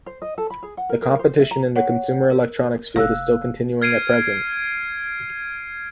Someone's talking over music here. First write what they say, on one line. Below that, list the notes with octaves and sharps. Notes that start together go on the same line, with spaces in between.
The competition in the consumer electronics field is still continuing at present.
C5
D#5
A4
B5
G#4
F#5
A#4
A#4
C5
E5
A#5
C#5 F#5
A#4
F1 F5 E6 F#6
F6 G#6 C7 D7 D#7